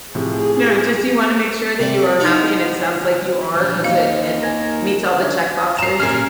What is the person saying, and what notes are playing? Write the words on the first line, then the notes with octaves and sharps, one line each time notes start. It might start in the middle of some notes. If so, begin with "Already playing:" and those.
no, just you wanna make sure that you are happy and it sounds like you are 'cause it it meets all the checkboxes
A2 C3 F3 G#4
C3 G3
B3 D#4 E4
F3 D4
A#3 D#4 F5
A#4 G#5 G#6 A#6
D4 E5 G#6
A#5 C7 E7
F#2 A#2 C#4 G#4 A#4 F6 C7